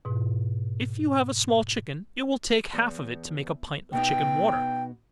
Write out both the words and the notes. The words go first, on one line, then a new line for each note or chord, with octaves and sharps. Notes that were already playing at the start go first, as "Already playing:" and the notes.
If you have a small chicken, it will take half of it to make a pint of chicken water.
G#2 B2
E2
B2 B3 D#4 G5